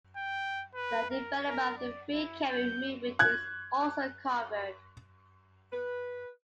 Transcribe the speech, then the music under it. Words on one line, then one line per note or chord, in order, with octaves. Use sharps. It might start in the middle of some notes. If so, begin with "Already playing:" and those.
The development of the Free Kevin movement is also covered.
G5
B4
A#4
A#4
D5
E4
G6
F#6 G#6
B4